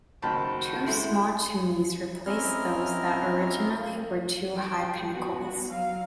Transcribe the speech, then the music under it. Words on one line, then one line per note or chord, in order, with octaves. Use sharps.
Two small chimneys replace those that originally were two high pinnacles.
F#1 D#3 F#4 C5 G5 A5 B5
G#3 E4 A4
C4 C#4 E4 A#4 D#5 F6
G5
B3 F#4
F#3 F5